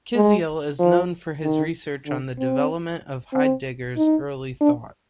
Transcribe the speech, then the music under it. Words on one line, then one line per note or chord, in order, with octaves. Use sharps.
Kisiel is known for his research on the development of Heidegger's early thought.
G#3
F3
D#3
D3
C4
C4
D#4
D4